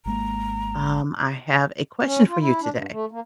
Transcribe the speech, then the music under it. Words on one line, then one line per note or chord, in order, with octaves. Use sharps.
Um, I have a question for you today.
G#1 G#3 A#3 A#5
C#4
F4
E4
D4
G2
A3
A#3